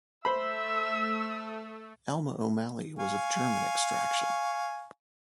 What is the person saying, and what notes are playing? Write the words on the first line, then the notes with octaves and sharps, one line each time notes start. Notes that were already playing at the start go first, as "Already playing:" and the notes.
Alma O'Malley was of German extraction.
A3 C5 E5 B5 E6
F5 G#5 C#6